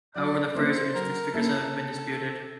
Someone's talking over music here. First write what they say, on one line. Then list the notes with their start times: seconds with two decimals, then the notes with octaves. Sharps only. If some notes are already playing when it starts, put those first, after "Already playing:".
However, the Fraser Institute's figures have been disputed.
0.16 F#3 D5
0.55 A#3 C#4 E4 G#4 C5
0.95 F#3 A#4
1.34 A#3 C#4 E4 G#4 A4